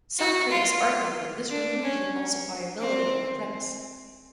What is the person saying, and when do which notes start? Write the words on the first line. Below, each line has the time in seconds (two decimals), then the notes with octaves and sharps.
Some critics argue that this removes the falsifiability of the premise.
0.18 F#4
0.51 F4
1.49 D4
1.82 C#4
2.81 C4